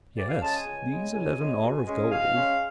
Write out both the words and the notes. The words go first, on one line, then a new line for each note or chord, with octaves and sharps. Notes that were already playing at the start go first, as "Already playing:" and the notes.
Yes, these eleven are of gold.
D2 D5
F5
C#3 G#3 C#4 A5
G#5
C#2
C#3 G#3 B3
C#2 G#5
C#3 G#3 B3
B2
G#3 C#4
B2 F5
G#3 C#4